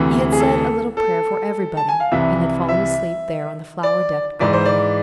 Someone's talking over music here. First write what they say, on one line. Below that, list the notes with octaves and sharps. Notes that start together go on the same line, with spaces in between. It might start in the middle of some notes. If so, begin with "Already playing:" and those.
He had said a little prayer for everybody and had fallen asleep there on the flower-decked balcony.
Already playing: D2 C3 E3
G#4
A4
A4
A5
G#5
F5
C2 C3 E3 E5
E5
D5
G#2 E3 D5
C5
D5